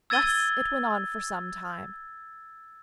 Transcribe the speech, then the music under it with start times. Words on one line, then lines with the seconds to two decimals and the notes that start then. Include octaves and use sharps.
Thus it went on for some time.
0.10 E6 G#6 A6 D#7 G7